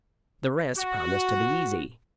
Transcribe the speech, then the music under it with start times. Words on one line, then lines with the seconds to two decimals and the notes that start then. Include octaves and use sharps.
The rest promised to be easy.
0.78 F#4